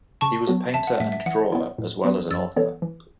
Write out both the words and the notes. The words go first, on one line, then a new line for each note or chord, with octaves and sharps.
He was a painter and drawer as well as an author.
C#3 A5 C#6
F#3 B3 F#4
A1 E5 A5
F#5
A2 E3 A3 E5
E5
E3 F#5
B3 E4
A2
F#3 B3 F#4 B4
F#2 E6 A6
E3 B3 A4 C#5
E3